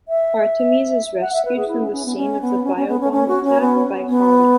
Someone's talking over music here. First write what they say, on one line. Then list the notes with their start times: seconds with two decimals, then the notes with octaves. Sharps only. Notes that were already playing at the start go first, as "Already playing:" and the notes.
Artemis is rescued from the scene of the bio-bomb attack by Holly.
0.08 E5
1.21 F#5
1.33 E5
1.45 B4
1.57 G#4
1.68 E4
1.81 C#4
1.92 C#4
2.05 B3
2.16 C#4
2.41 B3
2.64 C#4
2.76 C#4
2.88 B3
3.01 C#4
3.12 C#4
3.28 F#4
3.44 C#4
3.61 B3
4.09 B3